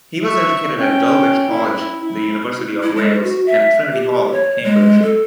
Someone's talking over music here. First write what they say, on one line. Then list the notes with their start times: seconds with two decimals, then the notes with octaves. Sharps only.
He was educated at Dulwich College, the University of Wales and Trinity Hall, Cambridge.
0.22 E5 C#6
0.76 C#4 G5
1.49 E4
2.01 E4
2.83 E4
2.96 G#3
3.23 F#4
3.46 E5
3.93 G4
4.32 C#5
4.64 G#3
5.02 A4